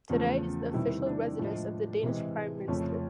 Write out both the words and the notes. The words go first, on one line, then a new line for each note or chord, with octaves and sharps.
Today it is the official residence of the Danish Prime Minister.
E2 C#3 F3 A3
C3 D#3 G3 E4
D4
A2 F3 G#3
C3 E3 G#3
F2 C#3 F3 A3 C#4